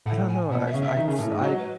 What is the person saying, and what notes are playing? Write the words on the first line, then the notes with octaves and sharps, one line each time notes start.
I don't know, I I s I
A2 F#5
G#5
B2 F#5
E5
C#3
E5
D#3
C#3
A2
G#2
F#3 D#5
B4